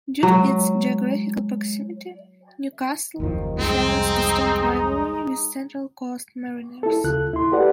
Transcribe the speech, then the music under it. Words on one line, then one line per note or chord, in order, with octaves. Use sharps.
Due to its geographical proximity, Newcastle shares a strong rivalry with Central Coast Mariners.
F#3 G#3
F#1 D#2 D#3 F3
C2 F2 G#3 C4 D#4
E4 A4
D2 C#3 F4 A4 F#6
E4 C6
F#4 G4 A4 B4 D5 F#5